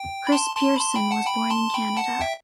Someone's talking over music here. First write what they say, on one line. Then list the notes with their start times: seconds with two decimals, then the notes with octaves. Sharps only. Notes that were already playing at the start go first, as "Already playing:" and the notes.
Chris Pierson was born in Canada.
Already playing: G5
0.27 B5
0.32 A5 C6
0.55 A5 C6
0.76 B5
0.79 A5 C6
0.95 G5 B5
1.11 F#5 A5
1.26 G5 B5
1.50 A5 C6
1.74 G5 B5
1.97 F#5 A5
2.21 E5 G5